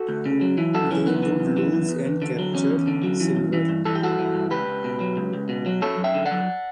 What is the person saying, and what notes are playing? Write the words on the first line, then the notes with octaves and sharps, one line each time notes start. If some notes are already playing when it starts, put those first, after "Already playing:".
They would lose and capture silver.
Already playing: F#4 A4
D2
C#3
F#3
E3
F#2 F#4 A4
E3 C#4
F#2 B3
E3
F#2
E3
F#2
E2
E2
D3
F#3
E2 C#4
E2
D3
F#3
E3
G2
E3
G2
E3 A4
G4
G2 F#4 A4
E3
G2
C#2 G4 B4
C#2
B2
F#3
C#2
C#2
B2
F#3
F#2 A4 C#5
F#2
E5 G5
D3
D5 F#5
F#3